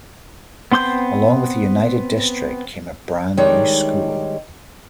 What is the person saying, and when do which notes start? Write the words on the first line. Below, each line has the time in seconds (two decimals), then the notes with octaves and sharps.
Along with a united district came a brand new school.
0.72 B3 C4 C6 D6 G6
3.37 D#3 G3 G#3 D4 D#4 C#5